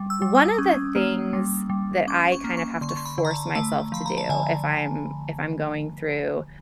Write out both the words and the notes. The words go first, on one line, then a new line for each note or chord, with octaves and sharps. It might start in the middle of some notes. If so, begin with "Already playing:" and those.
one of the things that I kind of have to force myself to do if I'm if I'm going through
Already playing: G3
E6
G3
D#6
C#4
A#3
G3
G3
C#4 D6
C#6
A#3
C#6
D3 C6
C#6
C6
B5
D3
A#5
A5
A3 A5
F3 B5
A#5
A5
D3 G#5